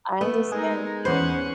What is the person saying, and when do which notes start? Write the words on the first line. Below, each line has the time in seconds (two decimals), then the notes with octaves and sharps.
I understand.
0.21 A3 B3
0.52 G#3 D#4 G#4 A#4
1.05 E2 C#4 B4 C5 F#5